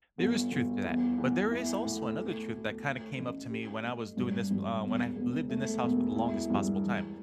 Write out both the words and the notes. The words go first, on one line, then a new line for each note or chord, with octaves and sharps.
There is truth to that, but there is also another truth that kinda came up to me when I was doing this uh, when I lived in this house for the longest possible time.
G1
G1
E2
E2
E4
A2
A3
D2
A3
A1
G4
A2
G2
G2
E1
E1
A3
E1
E4
G2
E3